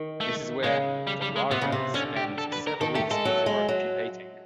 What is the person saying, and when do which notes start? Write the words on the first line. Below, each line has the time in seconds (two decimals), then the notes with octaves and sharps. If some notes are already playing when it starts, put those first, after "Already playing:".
This is where the larva spends several weeks before pupating.
Already playing: D#3
0.20 A3
0.63 C#3 G#3
1.07 G3
1.22 G3
1.36 G#3
1.51 C3 B3
1.62 C#3
1.72 C3
1.94 D3 C#4
2.17 G4
2.38 A4
2.52 B4
2.67 A#4
2.81 D#3 A4
2.95 A3 G4
3.11 G#3 A4
3.25 F#3
3.46 G#3
3.69 F#3